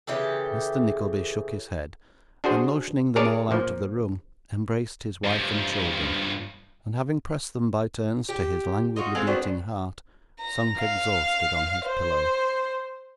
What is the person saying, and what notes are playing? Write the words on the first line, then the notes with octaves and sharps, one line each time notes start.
Mr Nickleby shook his head, and motioning them all out of the room, embraced his wife and children, and having pressed them by turns to his languidly beating heart, sunk exhausted on his pillow.
C#3 E3 G4 A4
D4 F#4 G#4 C5
G#4 A#4 C#5 D5 A5
A#2 F3
G2 F3
G4
D#4 F4 F#4
G#3 C4 A4 F5
B3 C4 D4 F#4
A#5
F5
C5